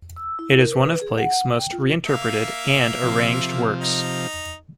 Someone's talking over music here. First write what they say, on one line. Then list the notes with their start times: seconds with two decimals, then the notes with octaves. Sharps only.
It is one of Blake's most reinterpreted and arranged works.
0.16 E6
0.39 E4
0.58 A#4
0.73 B4
1.01 G#4
1.18 F#5
1.59 G5
1.72 F4
2.06 A#3 E5 F5
3.03 C3 F3
3.81 D#4